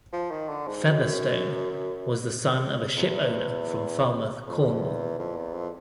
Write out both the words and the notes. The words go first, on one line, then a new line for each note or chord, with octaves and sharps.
Featherstone was the son of a ship owner from Falmouth, Cornwall.
F3
D#3
D3
G#2
F#2
F2
E2
F2
E2
F2
E2
F2